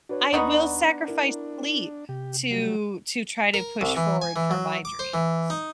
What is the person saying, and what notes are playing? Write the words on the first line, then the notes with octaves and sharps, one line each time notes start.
I will sacrifice sleep to to try to push forward for my dreams.
D4 F#4 B4 C#5
D#2 B3 D#4 F#4 D5
E4 A#4
C3 G4
F#3 G3
A#4
C2
E3
G#5
E3
F#3
D6
C5
E3
D#4